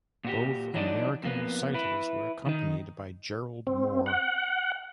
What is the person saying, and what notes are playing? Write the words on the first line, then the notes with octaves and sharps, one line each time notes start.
Both American recitals were accompanied by Gerald Moore.
A#2 F#4 G4
E3 F#3 D4 D#4 D5
F2 A#3 B3
E4 B4
D#3 D#4
C4
F#5